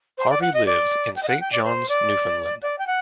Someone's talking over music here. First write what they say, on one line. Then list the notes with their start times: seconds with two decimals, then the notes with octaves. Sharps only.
Harvey lives in Saint John's, Newfoundland.
0.17 C5
0.29 D5
0.41 F#5
0.53 D#5
0.66 D5
1.15 G5
1.22 D#5
1.27 F#5
1.40 G5
1.52 D5
1.64 C5
1.88 D5
2.61 D5
2.78 G5
2.86 F#5